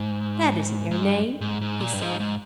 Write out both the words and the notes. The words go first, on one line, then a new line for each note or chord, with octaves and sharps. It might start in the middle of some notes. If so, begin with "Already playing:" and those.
"That isn't your name," he said.
Already playing: G#2
G#2
G2
G#2
G#2
A#2
G2
G#2
G#2